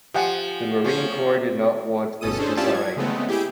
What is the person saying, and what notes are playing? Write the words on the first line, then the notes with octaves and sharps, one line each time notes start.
The Marine Corps did not want this design.
F3 G4 F#5 G#5
F3 C#4
G1 B2 C#4 A4 D#6 D#7
C#4 D4 G#4 A4 C5
C#4 E4 F4 G4 D5 A5
F#3 G#6
C#3 G#3 A3 B3 C4
E4 G4 G#4 G6 D7